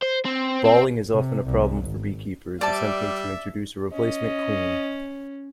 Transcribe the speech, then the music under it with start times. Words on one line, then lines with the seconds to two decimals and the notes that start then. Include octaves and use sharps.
Balling is often a problem for beekeepers attempting to introduce a replacement queen.
0.02 C5
0.25 C4
0.65 C4
1.11 C3
1.45 C2
1.84 G#1
2.61 C3 G3 D5 E5 A5
3.93 C#4 D#5